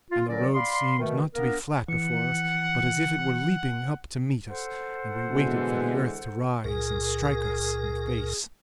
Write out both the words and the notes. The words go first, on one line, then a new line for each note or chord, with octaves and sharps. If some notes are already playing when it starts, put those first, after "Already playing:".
And the road seemed not to be flat before us, but as if it were leaping up to meet us, and we waited for the earth to rise and strike us in the face.
F4
C#2 D3 F#3 C#4 A#4 D5
D5 F5 B5 C6
B2 D#3 A3
A#3 B3 D4 A#4
E3 F#5 C#7
A4 C5 F#5
B2 D3 E3 G#3
C#2 A#2 G#4 A#4